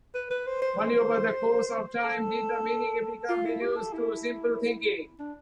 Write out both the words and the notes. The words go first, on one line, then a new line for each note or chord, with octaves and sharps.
Only over the course of time did the meaning become reduced to simple thinking.
B4
B4
C5
C5
C5
A4
F4
E4
G4
A4
E4
D4